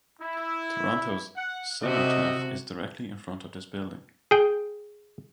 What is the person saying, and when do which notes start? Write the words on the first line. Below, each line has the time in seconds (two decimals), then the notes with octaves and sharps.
Toronto's Cenotaph is directly in front of this building.
0.21 E4
1.37 F#5
1.83 C3 F#4 G4 A4 D#5
4.31 G#4 G5